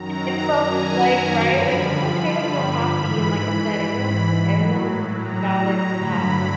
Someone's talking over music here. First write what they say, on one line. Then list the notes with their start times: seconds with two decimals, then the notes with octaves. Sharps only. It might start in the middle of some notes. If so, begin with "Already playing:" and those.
it's so eh, like, right? Like, it's okay to feel happy, and like I said, everyone's everyone is valid to have
Already playing: F#2 D#3 F#3 A#5
0.65 G#5
1.40 G2 D3 F3 B5
2.91 G#2 E3 B5
4.42 A2 F#3
5.18 A#5
5.93 G2 D3 F#3 B5